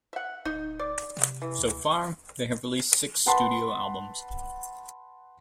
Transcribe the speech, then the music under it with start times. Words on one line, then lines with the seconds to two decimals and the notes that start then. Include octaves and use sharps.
So far, they have released six studio albums.
0.13 E5 F#5
0.45 D1 D#4
0.79 D5
1.17 C3
1.42 E3
1.58 D2
3.26 B4 F#5 A5 B5 C6